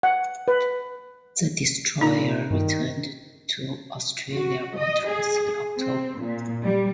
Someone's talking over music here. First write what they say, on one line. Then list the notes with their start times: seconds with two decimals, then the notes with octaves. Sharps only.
The destroyer returned to Australian waters in October.
0.03 F#5
0.48 B4
2.01 A#2 D#4 A#5
2.50 G2 D#3
4.34 F#4
4.77 D#5
5.08 G#4
5.78 C4
6.21 A#2
6.62 G3